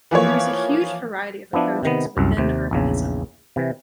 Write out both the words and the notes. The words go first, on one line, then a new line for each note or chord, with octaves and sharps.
There is a huge variety of approaches within urbanism.
E3 F3 A#3 C#5
F3 B3 D4 E4
C3 D#3 B3
C2 F#2
D#2 C3
A#1 E2 C#3
C3 E3